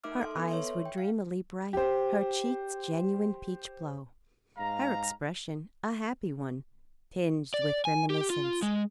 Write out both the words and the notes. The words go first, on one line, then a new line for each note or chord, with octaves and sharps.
Her eyes were dreamily bright, her cheeks genuine peachblow, her expression a happy one, tinged with reminiscence.
A3 D#4 A#4 E5 D6 F6
A4 C6
B3 A4 B4
C#5 E5 C6
G5
F5
G4 C5
G#2 G#3 F5 A#5
D5
G#5
G4
F4
G#3